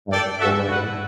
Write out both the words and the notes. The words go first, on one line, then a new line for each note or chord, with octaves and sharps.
like, bull rider.
D4 A4 D5 G5
C#4 F#4 A4 E5
F#4 B4 F#5